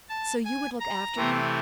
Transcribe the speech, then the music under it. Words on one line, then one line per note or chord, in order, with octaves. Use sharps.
"So you would look after me?"
A5
G#5
A#5
C3 E3 A3 C4